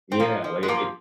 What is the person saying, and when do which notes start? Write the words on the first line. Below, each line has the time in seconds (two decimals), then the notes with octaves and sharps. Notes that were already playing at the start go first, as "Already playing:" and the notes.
Yeah, like, if they
0.12 C4
0.20 F3 A#3
0.44 F3
0.63 G#3
0.68 F3 A#3